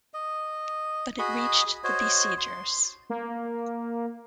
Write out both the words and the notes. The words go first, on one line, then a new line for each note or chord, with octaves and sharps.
But it reached the besiegers.
D#5
F#4 G#4 D#5 B5
F#4 C5 C#5 D#5
C6
A#3